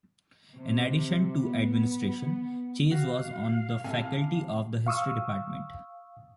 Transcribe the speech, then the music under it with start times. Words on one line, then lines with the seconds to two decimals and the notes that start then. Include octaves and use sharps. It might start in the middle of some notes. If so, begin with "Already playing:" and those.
In addition to administration, Chase was on the faculty of the history department.
0.56 C3
1.43 B3
2.91 F#4 F5
3.84 A2 C3 G#5
4.87 F5 C#6 D#6 E6